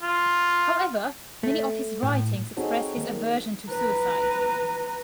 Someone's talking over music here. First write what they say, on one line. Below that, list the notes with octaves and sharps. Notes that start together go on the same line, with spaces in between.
However, many of his writings express his aversion to suicide.
F4
A3
A2
C4 D#4 F#4 G#4 A4 C#5
D#3 A#3
B4 A#5